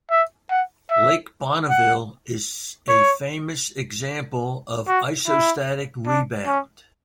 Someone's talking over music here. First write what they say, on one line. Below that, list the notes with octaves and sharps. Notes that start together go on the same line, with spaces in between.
Lake Bonneville is a famous example of isostatic rebound.
E5
F#5
E5
F#5
C#5
F#4
E4
D4
C#4